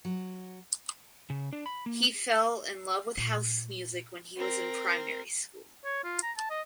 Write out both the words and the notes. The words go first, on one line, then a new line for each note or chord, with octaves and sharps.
He fell in love with house music when he was in Primary School.
F#3
C#3
D4
B5
A#3
A#2
C4 A#4
C#5
F4
A#5
A5
D#5